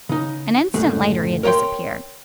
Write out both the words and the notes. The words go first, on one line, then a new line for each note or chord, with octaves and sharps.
An instant later he had disappeared.
C#3 D#4
C#2 F#2 A2 D3 A3
A#4 C#5 D#5 G5 C6